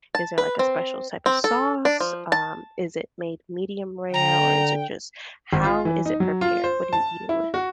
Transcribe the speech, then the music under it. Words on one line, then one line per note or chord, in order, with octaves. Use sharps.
Is there, like, a special type of sauce? Um, is it made medium rare, or is it just how is it prepared? What do you eat it with?
A5
B4
C4
C4
A4
D4
F3
A5
D3 G5 A#5
G#1
F4
E3
D#4
F#3
F4
C5
A5
E4
F#4